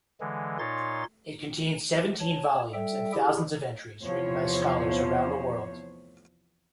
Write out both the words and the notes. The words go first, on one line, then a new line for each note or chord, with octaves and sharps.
It contains seventeen volumes and thousands of entries written by scholars around the world.
D3 E3 G#3
A#2 D#4 C#5 C6 A6
C#5 A5
G3 A4 E5 G5
E4 G4 G#4
E2 C3 F3 B3 C5 C#5